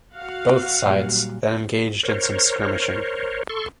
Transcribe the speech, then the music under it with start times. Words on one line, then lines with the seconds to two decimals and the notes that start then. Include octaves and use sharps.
Both sides then engaged in some skirmishing.
0.14 F#4 F5 F#5
0.86 A#2 F#3 G3
2.03 A#4 C5 C#5
3.49 A4 C6 C#6